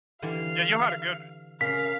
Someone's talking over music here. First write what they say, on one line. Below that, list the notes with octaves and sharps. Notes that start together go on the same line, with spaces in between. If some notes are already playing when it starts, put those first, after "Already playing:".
Yeah, you had a good
D3 E3 G3 F5
C#3 A#4 F5 B6